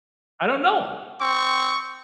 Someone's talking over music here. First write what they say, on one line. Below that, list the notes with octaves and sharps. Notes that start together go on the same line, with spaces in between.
I don't know 'em,
C4 C#6